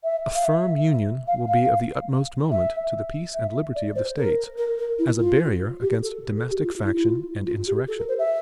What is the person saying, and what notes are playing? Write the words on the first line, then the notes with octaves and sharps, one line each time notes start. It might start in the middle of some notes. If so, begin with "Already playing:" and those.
A FIRM Union will be of the utmost moment to the peace and liberty of the States, as a barrier against domestic faction and insurrection.
E5
F5
E5
F5
F5
E5
E5
D5
C5
A#4
A#4
A#4
E4
F4
G4
A4
A4
G4
F4
E4
E4
F4
F4
G4
A4
A#4
C5
E5